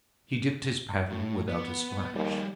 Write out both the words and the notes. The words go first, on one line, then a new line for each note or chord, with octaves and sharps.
He dipped his paddle without a splash.
A2
B3
D#2 G3 G#4